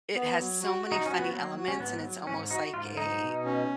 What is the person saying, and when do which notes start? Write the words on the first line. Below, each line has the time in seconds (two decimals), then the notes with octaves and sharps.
It has so many funny elements and it's almost like a
0.15 B3
0.38 F#3
0.62 F#4
0.85 F#4
0.92 D#4
1.06 C#4 F#4
1.19 B3
1.32 F#3 A#3
1.57 F#4
1.68 C#4
1.80 G#2 B3
2.04 F#3
2.27 G#2 C#4
2.51 D#4 F#4
2.74 G#2 F4
2.97 G#2 D#4
3.22 B2
3.45 C#4